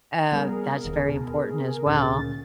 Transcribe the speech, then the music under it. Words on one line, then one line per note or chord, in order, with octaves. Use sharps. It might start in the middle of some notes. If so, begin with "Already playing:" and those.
Uh, that's very important as well.
G3 B3 G#4 A#4
E1 D#2
B2
D2 A#2 C#3 A6